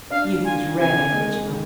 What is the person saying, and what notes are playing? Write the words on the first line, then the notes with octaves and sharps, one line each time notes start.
Youth is rarely original.
D4 F5
F4 G#5
C3 G#5
G#3
D#3